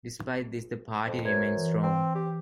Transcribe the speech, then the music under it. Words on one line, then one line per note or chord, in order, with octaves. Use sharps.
Despite this, the party remained strong.
F2
F#2 B4 C5 G#6
E3
C4
G4